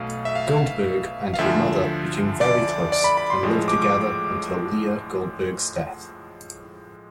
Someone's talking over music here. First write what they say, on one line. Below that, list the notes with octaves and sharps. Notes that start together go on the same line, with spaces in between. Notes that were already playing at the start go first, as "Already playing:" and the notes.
Goldberg and her mother became very close and lived together until Leah Goldberg's death.
Already playing: B1 B2 A3 F5
E5
F5
F5
D2 D3 F3 E5
D5
D5
B5
B5
C6
A1 A2 F3 G#3
D6
D6